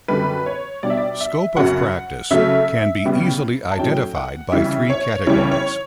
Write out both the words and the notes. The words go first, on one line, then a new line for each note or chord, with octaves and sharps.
Scope of practice can be easily identified by three categories.
F#2 D3 G3 B4
C#5
B2 G3 D4 D5
E5
D5
E5
F#2 C#3 F#3 F#5
C#3 F#3 A3 E5
C#3 G3 B3
A5
A2 F#3 C#4 G5
F#5
C#3 E3 G3 E5
C#5
C#3 E3 G3 C#5
C#5